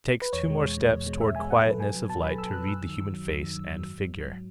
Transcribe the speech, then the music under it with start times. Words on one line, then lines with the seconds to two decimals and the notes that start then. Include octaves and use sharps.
It takes two more steps toward quietness of light to read the human face and figure.
0.22 B4
0.33 E2 C#5
0.48 B2 G#3
0.62 E2
0.77 B2 G#3
0.92 E2
1.07 B2 G#3
1.21 E2 E5
1.36 B2 G#3 G#5
1.50 B2 F#5
1.61 A4
1.66 F#3 B4
1.80 B2 G#5
1.95 F#3
2.09 B2 A5
2.24 F#3 B5
2.38 B2 E6
2.53 F#3 F#6
2.68 F#2 E6
2.82 D#3 F#3
2.98 F#2
3.12 D#3 F#3
3.26 F#2
3.41 D#3 F#3
3.56 F#2
3.70 D#3 F#3
3.86 G#2
4.00 F#3
4.15 G#2
4.29 F#3